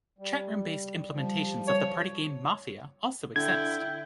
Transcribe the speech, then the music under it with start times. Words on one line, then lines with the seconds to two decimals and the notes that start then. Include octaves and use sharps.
Chatroom-based implementations of the party game "Mafia" also exist.
0.19 G3
1.13 F3 G3
1.68 C#5
3.36 D3 E4 G5 G#6